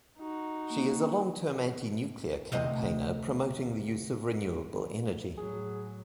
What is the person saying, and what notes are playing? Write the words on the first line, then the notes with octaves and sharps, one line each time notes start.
She is a long-term anti-nuclear campaigner, promoting the use of renewable energy.
D#4 F#4
A#3
D2 C3 D#5
A2 F#3 G#4